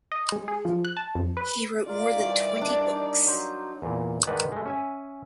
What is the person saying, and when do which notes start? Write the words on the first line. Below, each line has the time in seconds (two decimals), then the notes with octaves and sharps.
He wrote more than twenty books.
0.12 D#5
0.32 G#3
0.48 G#4
0.65 F3
0.85 F#6
0.97 A5
1.15 F2
1.37 B4
1.87 F4 A#4 D5
2.15 D#3 E3 G3
2.61 D4
2.92 D#4
3.26 F#3 C5
3.82 E2 A#2
4.27 G#2 D#3 G#3 B4 D5 F#5
4.52 G#3 A3
4.66 C#4 E5 G#5